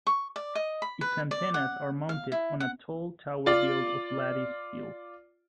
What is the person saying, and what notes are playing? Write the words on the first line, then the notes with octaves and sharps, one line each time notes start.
Its antennas are mounted on a tall tower built of lattice steel.
C#6
D5
D#5
B5
B4
D5
F#5
F5
E4
F#5
F4 D5